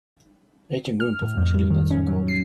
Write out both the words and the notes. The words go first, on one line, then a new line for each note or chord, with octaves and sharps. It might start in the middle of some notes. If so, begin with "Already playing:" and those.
Eight young women perform a cheerleading dance on a court.
F6
A2
F2
G3
D#3
C#4
F#3
C7